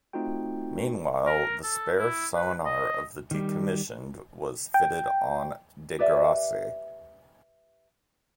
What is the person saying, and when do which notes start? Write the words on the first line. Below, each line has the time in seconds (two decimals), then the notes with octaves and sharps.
Meanwhile, the spare sonar of the decommissioned was fitted on "De Grasse".
0.13 A3 C4 D#4 F4 F#4 G5
1.26 A#4
1.63 A4
1.98 E4
2.35 B4
2.66 D#5
3.31 D#3 G3
4.74 G5
5.99 G4 B4 D5 E5